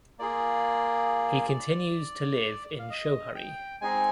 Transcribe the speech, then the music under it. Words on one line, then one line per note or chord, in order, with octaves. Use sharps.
He continues to live in Schoharie.
A#3 F4 G#4 D5
F5
D#5
G5
G#3 C4 D#4 G#4 G#5